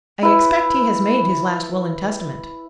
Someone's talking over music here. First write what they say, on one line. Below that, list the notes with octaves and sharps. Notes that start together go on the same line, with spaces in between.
"I expect he has made his last will and testament."
E4 B4